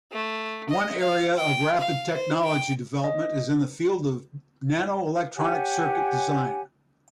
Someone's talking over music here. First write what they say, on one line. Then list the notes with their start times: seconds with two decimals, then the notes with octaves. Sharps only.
One area of rapid technology development is in the field of nanoelectronic circuit design.
0.12 A3
0.69 D#5
0.99 F5
1.36 G5
1.79 F5
2.13 C5
2.44 G5
3.04 D#5
5.36 G4 C#5 F#5 G#5